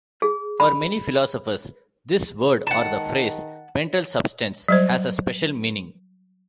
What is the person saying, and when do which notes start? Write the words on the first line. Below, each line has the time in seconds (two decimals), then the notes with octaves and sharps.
For many philosophers, this word or the phrase "mental substance" has a special meaning.
0.22 G#4
0.60 B5
2.67 D#3 F#5 A5
4.68 F#3 G3 C5